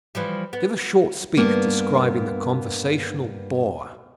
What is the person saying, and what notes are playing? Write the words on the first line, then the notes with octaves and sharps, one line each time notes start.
Give a short speech describing the conversational bore.
E3 F3 G3
B3
G2 A#3 B3